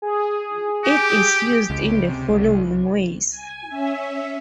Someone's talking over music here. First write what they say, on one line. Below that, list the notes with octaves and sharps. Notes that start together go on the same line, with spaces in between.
It is used in the following ways.
G#4
G4
C#2
C3
C2
G#5
C#4 E5